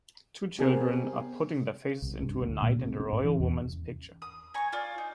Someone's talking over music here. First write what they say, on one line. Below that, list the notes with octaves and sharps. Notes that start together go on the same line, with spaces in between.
Two children are putting their faces into a knight and royal woman 's picture.
B3 C4 G4 G#4 A#4
C2
G2
D2
A#2
C3
C#4
G#2
E3
E2
D#6
G#5 A#5 C#6
F4 D5
D#4